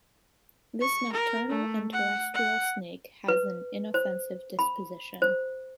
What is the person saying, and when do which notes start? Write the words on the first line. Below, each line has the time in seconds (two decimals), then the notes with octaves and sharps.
This nocturnal and terrestrial snake has an inoffensive disposition.
0.81 C#6
1.12 A#4
1.49 A3
1.92 F#5
2.34 F#5
3.28 B4
3.94 C5
4.59 B5
5.22 C5